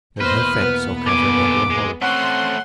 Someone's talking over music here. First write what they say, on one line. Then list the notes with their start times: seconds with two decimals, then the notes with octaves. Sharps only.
There was no fence or covering over the hole.
0.20 E2 B2 A#3 B4 C5 D#5 F6
0.59 B3
1.07 D3 G#5 D6
1.70 G#3
2.01 A3 C4 C#4 C#5 F#5 C6